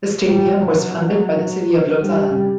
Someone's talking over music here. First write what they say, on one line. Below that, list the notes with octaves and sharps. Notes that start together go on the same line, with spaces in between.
The stadium was funded by the City of Lausanne.
G3
F#3
G3